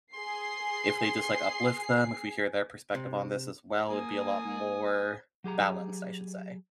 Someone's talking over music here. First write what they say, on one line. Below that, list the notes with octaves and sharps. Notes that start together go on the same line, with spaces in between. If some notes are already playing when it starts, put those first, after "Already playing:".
if they just, like, uplift them, if we hear their perspective on this as well, it be a lot more balanced I should say.
G#4 C6 C7
C3
A#3 G#5 D#6
F#3 G4 G#4 A#5